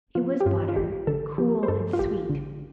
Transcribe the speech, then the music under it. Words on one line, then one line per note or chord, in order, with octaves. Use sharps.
It was butter, cool and sweet.
F3 F4
G4
G2 F4
F4
A1 G4
D3 A4
F3 G4
C5
G2 A4
F4
A1 G4
D3